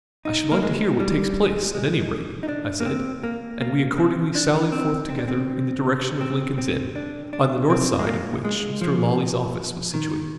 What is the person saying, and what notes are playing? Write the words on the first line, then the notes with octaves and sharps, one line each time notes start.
"I should like to hear what takes place, at any rate," I said, and we accordingly sallied forth together in the direction of Lincoln's Inn, on the north side of which Mr. Lawley's office was situated.
D#4
A#3
G#3
G3
G#3
D#4
D4
A#3
C4
A#3
A#3
C4
D4
C4
C4
D4
C4
C4
C4
D4
D4
C4
G#3
A#3
G#3
F3
D#3